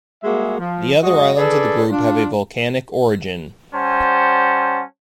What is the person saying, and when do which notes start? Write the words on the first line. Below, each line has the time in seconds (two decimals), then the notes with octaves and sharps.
The other islands of the group have a volcanic origin.
0.23 G3 G#3 A#3 F#4 G#4 E5
0.58 F3
1.02 F#2 G#3 F#4 G#4 D#5
1.36 D4 G#4 A4 B4 D5
1.90 D4 F4
3.75 G3 C#4 C5 F#5 A5